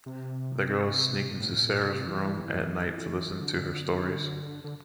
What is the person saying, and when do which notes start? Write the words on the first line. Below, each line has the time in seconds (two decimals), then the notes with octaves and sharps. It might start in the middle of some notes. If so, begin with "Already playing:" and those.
The girls sneak into Sarah's room at night to listen to her stories.
0.06 C3
1.40 A2
1.62 A#2
1.84 C3
2.07 E3
3.41 D3
4.64 D3